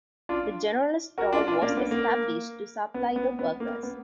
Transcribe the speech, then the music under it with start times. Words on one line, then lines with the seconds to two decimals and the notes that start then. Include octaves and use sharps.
The General Store was established to supply the workers.
0.29 D4 F4
1.18 F#4 A#4
1.33 D4 F4
1.47 D4 F4
1.62 A#3 D4
1.77 B3
1.91 A#3
2.94 B3
3.16 B3
3.39 B3
3.60 A#3
3.83 B3